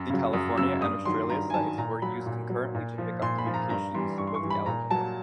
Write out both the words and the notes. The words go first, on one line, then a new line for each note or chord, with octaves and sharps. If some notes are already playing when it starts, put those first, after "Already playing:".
The California and Australia sites were used concurrently to pick up communications with Galileo.
Already playing: F#2
C#3 F#3
F#2 D#6
C#3 F#3 E6
G2 D#6
D#3 F#3 C6
G2 A#5
G#5
D#3 F#3 A5
A#2 A#5
F#3 B5
A#2
F#3
A#2
F3
A#2 C6
B5
F3
A#5
G2 A#5
E3 G3 C6
G2 C#6
C6
C#6
E3 G3
B5
A#2 A#5
F#3 A5